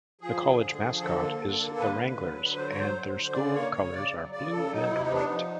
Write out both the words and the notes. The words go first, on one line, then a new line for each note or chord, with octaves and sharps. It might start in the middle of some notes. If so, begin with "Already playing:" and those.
The college mascot is the Wranglers, and their school colors are blue and white.
F3 G#4
D3
D3
F3
D3 A4
A#3
D3
A#3
D3 B4
D3
F#3
D3
F#3 C5
C#5
F#3 C5
D3
D3
C#3 D5
A#3 C#5
C#3 C#5
C#3 D5
F#3
C#3 D5
C#3 A4
F#3 D#4
C3 E4
D#4
B3 D4
D#4
F3